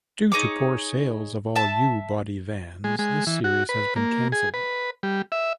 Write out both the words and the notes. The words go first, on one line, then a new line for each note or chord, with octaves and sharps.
Due to poor sales of all U-Body vans, this series has been cancelled.
D#4 G#4 C#5 D6
E5 A5
G#3
G#3
E3
F#4
B4
A#3
G#4
B4
G3
E5